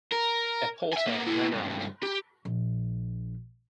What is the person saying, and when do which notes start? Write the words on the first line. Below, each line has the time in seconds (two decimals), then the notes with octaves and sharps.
A porter ran out.
0.12 A#4
0.93 E5 G#5
1.07 A#3 B3
1.27 A#3 E4
1.52 C#2 G2
2.03 G4
2.45 A#1